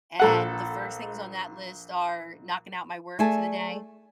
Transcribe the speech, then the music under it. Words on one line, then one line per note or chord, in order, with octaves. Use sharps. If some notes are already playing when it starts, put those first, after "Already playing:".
and the first things on that list are, knocking out my work for the day,
A#1 A4 F#5
A3 G#4 D5 E5 G#5 A5